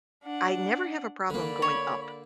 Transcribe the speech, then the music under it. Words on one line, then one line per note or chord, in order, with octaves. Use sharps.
I never have a problem going up.
D4 F#5
D3 A#3 D5 B5
C#5